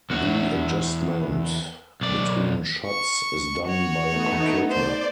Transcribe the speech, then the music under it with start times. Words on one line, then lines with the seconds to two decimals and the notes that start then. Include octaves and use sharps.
The adjustment between shots is done by a computer.
0.10 E2 F#4
2.01 B1 D5
2.86 C#6
3.65 F#4 C#5
4.08 A3 B3 D#4
4.71 C5 D5